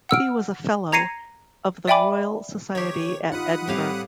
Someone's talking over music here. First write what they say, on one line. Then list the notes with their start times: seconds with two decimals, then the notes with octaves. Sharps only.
He was a Fellow of the Royal Society of Edinburgh.
0.09 F#5 E6 F6 D7
0.92 A#5 G#6 A#6 C7 C#7 D#7
1.88 D5 E5 G5 G#5 B5 D6
2.75 D#3 G4 C#5
3.32 D#4 F4 F#5 B5 D#6
3.68 A2 G3 C4 G4 F5